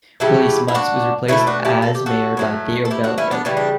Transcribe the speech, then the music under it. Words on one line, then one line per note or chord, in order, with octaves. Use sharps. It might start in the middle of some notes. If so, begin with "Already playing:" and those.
Willie Smuts was replaced as Mayor by Theo Beyleveldt.
C#3 F#3 A3 E4 G4
E4
D4 F#4
B2 F#3 A3 C#4 E4
D4 F#4
E4 G4
A4
G4
F#4 A4
A2 F#3 A3
A4
E4 G4
D4 F#4
C#4 E4
B3 D4
C#3 E3 G3 C#4
D4